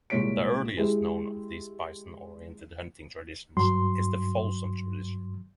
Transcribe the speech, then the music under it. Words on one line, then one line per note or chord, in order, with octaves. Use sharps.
The earliest known of these bison-oriented hunting traditions is the Folsom tradition.
C2 A#2 G#3 C#5 B6 D7
G#3 E4 G4 G#4
G2 F#3 C6